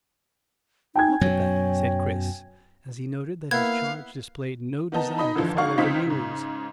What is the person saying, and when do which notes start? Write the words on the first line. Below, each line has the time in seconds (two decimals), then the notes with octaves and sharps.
"Look at that," said Chris, as he noted that his charge displayed no desire to follow the mules.
0.95 D#4 G5 G#5 G#6
1.21 F#2 B2 F#3 C#5
3.51 A#3 B3 E4 F5 G#6
4.92 D#3 B3 D#4 A5
5.18 D#4 D#5 B5
5.35 F#2 D3 E3 F3
5.57 G#1 D#3 F#4 F5 C#6
5.78 C#2 C#3 C4 D#4 F4 B6
6.07 G#2 C#3